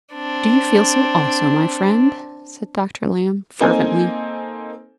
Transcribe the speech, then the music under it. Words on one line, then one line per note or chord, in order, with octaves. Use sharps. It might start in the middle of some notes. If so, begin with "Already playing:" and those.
"Do you feel so, also, my friend!" said Dr. Lamb, fervently.
C4 D4
A#3 C4 D#4 A4 C5 G#5